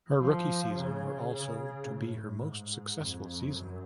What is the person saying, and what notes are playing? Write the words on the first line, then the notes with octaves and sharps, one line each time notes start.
Her rookie season were also to be her most successful season.
F3
C#3
C#3
A2
G#2
F2
F#2